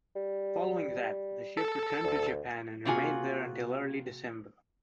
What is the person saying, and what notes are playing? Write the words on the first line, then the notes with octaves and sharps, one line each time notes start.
Following that, the ship returned to Japan and remained there until early December.
G3
A4
D2
C3 A#3 F4 F#4 G#4 G#5